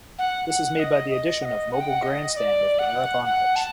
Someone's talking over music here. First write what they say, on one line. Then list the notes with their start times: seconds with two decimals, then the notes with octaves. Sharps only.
This is made by the addition of mobile grandstand over the Marathon Arch.
0.18 F#5
0.49 F#5
0.79 D#5
1.10 D#5
1.41 F#5
1.45 D#5
1.71 F#5
1.81 G5
1.89 F#5
2.03 D#5
2.33 D#5
2.37 D5
2.79 F#5
3.25 F#5
3.56 A5